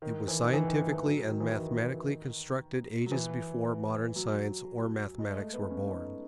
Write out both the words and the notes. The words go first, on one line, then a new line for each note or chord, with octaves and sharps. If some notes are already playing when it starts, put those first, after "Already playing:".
It was scientifically and mathematically constructed ages before modern science or mathematics were born.
D#3
E3
D#3
E3
D#3
D#3
E3
F#3
D#3
E3
E3
D#3
F#3
E3
F#3
G#3
A3
B3
C#4
D#4
D#4